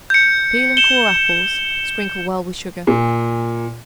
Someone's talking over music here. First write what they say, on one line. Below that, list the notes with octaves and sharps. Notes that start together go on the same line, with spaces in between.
Peel and core apples; sprinkle well with sugar.
G6 C#7
E7 G7
A#2